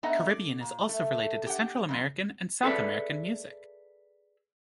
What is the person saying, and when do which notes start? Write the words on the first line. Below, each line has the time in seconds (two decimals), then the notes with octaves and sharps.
Caribbean is also related to Central American and South American music.
0.03 A3 B3 D#4 D#5 E5 F#5
0.29 D5
0.63 A#2
0.89 A3
1.46 G4 F#5
1.89 F2 G#2
2.63 G#4 A4 B4 D5 E5